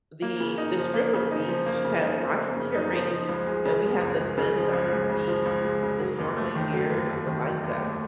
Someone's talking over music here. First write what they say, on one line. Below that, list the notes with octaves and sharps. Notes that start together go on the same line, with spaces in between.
the the strip of beach had rocky terrain, and we had the fins on our feet, the snorkeling gear, the life vests,
A#3
C#3
D#4
F3
A#3
C#3
D#4
F3
A#3
C#3
D#4
F3
A#3
C#3
D#4
F3
F3
C#2
G#3
C#3
F3
C#2
G#3
C#3
F3
C#2
G#3
C#3
F3
C#2
G#3
C#3
F#3
D#2
A3
D#3
F#3
D#2
A3
D#3
F#3
D#2
A3